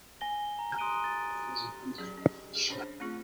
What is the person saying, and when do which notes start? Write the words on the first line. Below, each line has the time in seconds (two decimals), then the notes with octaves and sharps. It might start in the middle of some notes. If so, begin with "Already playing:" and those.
Scott initially committed to play college baseball at Arizona.
0.21 G#5 A#6 G7
0.59 A#5
0.78 C6 D#6 F#6 D7 D#7 G7
1.04 A6 D#7
1.98 F#3 C#4 G#4
2.18 C#4 D#5
2.55 G#4
2.70 C#4 D4 C5 C#5
3.00 A3 C4 C#4 F4 G#4